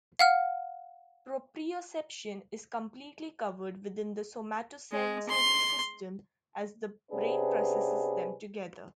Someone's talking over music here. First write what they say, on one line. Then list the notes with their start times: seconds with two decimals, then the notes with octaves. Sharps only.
Proprioception is completely covered within the somatosensory system as the brain processes them together.
0.19 F5 F#5 F6
4.92 G#3
5.29 C6
7.12 C3 B3 C#4 D4 G#4 B4